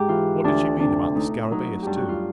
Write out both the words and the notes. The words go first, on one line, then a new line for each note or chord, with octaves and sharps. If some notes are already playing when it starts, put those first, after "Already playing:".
What did she mean about the scarabaeus too?
Already playing: G#2 G4
E3 F4
D2 D4
C3 D4
A3 D#4
F#3 D#4
G2 G4
F#4
F4